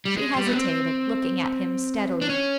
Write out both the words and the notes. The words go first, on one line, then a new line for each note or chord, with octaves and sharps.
She hesitated, looking at him steadily.
G3
G#3
G3
B3
C4
D4
C#4